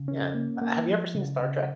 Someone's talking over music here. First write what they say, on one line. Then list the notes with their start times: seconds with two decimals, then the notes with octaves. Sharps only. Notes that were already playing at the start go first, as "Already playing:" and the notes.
Yeah. Uh, have you ever seen Star Trek?
Already playing: C#3
0.08 C#4
0.34 A#3
0.61 A#3
0.88 F3
1.15 C#3
1.41 C#3